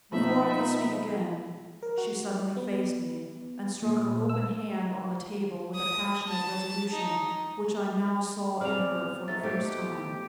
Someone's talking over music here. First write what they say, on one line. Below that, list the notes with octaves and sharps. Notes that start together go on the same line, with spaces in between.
Before I could speak again, she suddenly faced me, and struck her open hand on the table with a passionate resolution which I now saw in her for the first time.
B2 F3 D#4 E5 B5
A#4
F#4
B3
A#2
E6
D#6
A5
D#4
B2 C4 G#4 D5 F6 F7
A3 D#4 A6
B2 A3 A#3 G4 C5